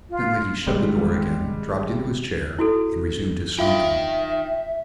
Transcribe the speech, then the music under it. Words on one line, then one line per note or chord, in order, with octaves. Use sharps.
Instantly he shut the door again, dropped into his chair, and resumed his smoking.
F4
G#1 G3 G#3
E4 F#4 A4
D#4 F4 E5 F5 G5 D6